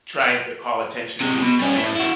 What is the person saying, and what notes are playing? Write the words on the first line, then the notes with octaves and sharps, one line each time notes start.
trying to call attention to yourself ever?
C3 G#3
B2
G3 C#4
A2 A3
E4 F#4